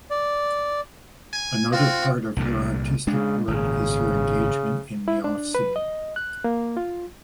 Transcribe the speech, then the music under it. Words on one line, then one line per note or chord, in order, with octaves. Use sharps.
Another part of her artistic work is her engagement in the off scene.
D5
G#5
C4 F4 F#4
C2 A#2 D3
C#3 G#3 D4
G#1 A#2 C#3
E4
D4
B4
D#5
F#6
A#3
F4